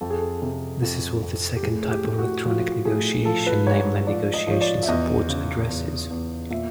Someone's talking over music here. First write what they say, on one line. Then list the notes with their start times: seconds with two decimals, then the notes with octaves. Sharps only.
This is what the second type of Electronic negotiation, namely Negotiation Support, addresses.
0.01 F2 A4
0.10 G#4
0.19 A4
0.42 C3
0.82 F2
1.23 F2
1.56 G4
1.63 A2 G#4
1.83 G#4
1.91 G4
2.04 A2
2.18 F#4
2.44 F3 F#4
2.85 A2 G#4
3.25 F3 A4
3.47 B4
3.66 G#2 C#5
4.07 F3 D5
4.34 D#5
4.47 F3 C#5
4.61 D5
4.83 E5
4.88 E2 D#5
5.29 C#3
5.69 E2
6.11 E2
6.50 A#2 E5